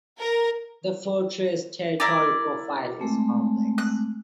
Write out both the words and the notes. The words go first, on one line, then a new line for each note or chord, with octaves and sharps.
The fortress’ territory profile is complex.
A#4
E4 A#4 D5
G#3 A3 C4
F#6